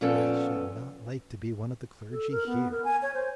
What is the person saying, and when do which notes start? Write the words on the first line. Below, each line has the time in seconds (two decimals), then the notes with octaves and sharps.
I should not like to be one of the clergy here.
0.01 A#2 F3 B3 C#4 A4 G5
2.11 A4
2.31 A#4
2.46 B3
2.71 A#4
2.84 G#5
3.02 C#5
3.14 C5